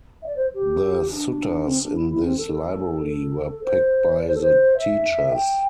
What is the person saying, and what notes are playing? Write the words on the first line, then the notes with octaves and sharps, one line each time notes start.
The suttas in this library were picked by the teachers.
E5
D5
C5
G4
D4
C4
D4
E4
E4
C4
A4
A4
A4
C5
D5
C5
A4
C5
E5
G5